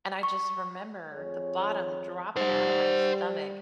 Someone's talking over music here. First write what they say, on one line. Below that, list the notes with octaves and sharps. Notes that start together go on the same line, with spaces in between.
and I just remember the bottom dropping outta my stomach,
C#6
F2 G#4 C#5
G3 C5 F#5